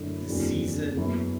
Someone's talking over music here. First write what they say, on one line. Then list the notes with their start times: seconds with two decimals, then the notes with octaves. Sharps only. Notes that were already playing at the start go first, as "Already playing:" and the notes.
the season
Already playing: F#2 D3 A3 E4
0.28 F#1 E2 D3 F#3 C4
0.97 F#2 E3 B3 E4